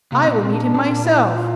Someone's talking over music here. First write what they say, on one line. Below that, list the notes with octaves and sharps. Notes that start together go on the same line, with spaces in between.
"I will meet him myself!"
C3 A#3
A2 C4
A#2
A#3
C4
D4
D4
A#2 D4
C4
D4
E4
F4